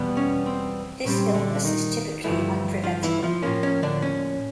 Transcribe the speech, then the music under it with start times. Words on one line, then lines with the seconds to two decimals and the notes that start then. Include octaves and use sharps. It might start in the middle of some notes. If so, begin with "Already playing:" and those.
This illness is typically unpreventable.
Already playing: E2 B2 G3 B3
0.17 C#4
0.46 C4
1.05 A#2 G3 C4 C#4
1.35 D3 D4
1.55 D4
1.64 D#3 D#4
2.24 G2 D3 E3 F3 A3 E4
2.84 F3 F4
3.03 E3 E4
3.23 F3 F4
3.42 A2 F3 A#3 C#4
3.63 C#4
3.83 D3 D4
4.02 C#4